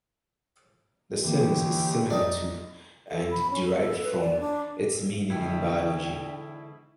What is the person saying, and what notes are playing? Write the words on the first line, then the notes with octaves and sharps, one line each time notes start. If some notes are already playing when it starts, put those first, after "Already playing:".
This sense is similar to, and derived from, its meaning in biology.
C#2 D3 E3 A#3 E4 G4
F2 D4 D#4
A4
B5
C#4
A4
A4
B4
D5
D4
G#2 B2 D3 E3 E4 G5